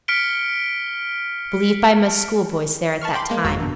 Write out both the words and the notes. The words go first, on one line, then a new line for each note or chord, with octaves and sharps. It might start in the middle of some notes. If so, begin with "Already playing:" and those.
Believed by most schoolboys there at that time.
F6 B6 C#7 D7 G7
A5 B5 C#6 F6
G5 B5 C6 D6
G#3 A#3
G1 F2 G#2 F#4 A#5 E6
G2 B2